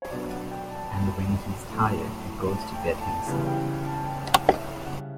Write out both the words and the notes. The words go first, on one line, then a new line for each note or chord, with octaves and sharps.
And when he's tired he goes to bed himself.
C#5
B2 F#3 B3 D4 D5
F#5
G5
A5
B5
A2 F#3 A3
A5
G5
A5
C#3 E3 G3 B3
G5
A5
G5
F#5
E5
C#3 G3 C#4 F#5